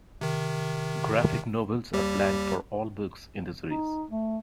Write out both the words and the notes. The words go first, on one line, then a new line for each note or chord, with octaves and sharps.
Graphic novels are planned for all books in the series.
C3 D#3
D#2 G3 G4
D#4
A3